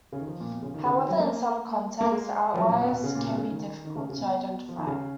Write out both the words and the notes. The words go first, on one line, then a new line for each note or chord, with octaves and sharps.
However, in some contexts, outliers can be difficult to identify.
C#3
D#3
F3
A#2
B2
C#3
D#3
C#3
D#3
F#3
A#3
A#3
G#3
F3
F#3
A#2
B2
B2
C#3
A#2
B2
C#3
D#3
D#3
C#3
C#3
B2
F3
D#3
C#3